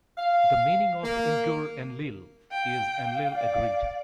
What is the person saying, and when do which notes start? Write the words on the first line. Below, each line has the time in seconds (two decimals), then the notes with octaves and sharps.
The meaning of Imgur-Enlil is "Enlil agreed".
0.18 F5
1.04 A#3
2.52 F5 G5
3.33 D5